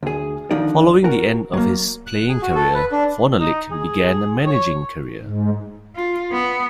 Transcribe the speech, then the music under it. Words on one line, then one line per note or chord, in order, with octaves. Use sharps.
Following the end of his playing career, Fornalik began a managing career.
D2 G#4
D3 D#3 F3 D#4 D5
F#4 A#4
F#3 A#3
F#6
G#4
F#4
A4
B4
D4
D#4
G#4
C#5
G#2
F4
B3